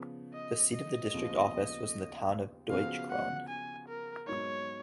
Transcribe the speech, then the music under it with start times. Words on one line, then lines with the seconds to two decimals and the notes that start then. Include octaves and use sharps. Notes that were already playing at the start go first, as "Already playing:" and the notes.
The seat of the district office was in the town of Deutsch Krone.
Already playing: C#3 F3 B3
0.34 D#5
0.73 D#5
1.12 D#2 C#3 F3 B3
2.69 C#3 F3 B3 F#4 F5
3.10 F#5
3.49 G#5
3.88 A#4
4.27 G#2 F#3 B3 D#4 C#5